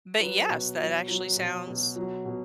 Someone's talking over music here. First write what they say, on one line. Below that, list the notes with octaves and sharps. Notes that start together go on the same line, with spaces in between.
But, yes, that actually sounds
F#3 B4
B2
F#3
F#3
B2
B2
F#3
B2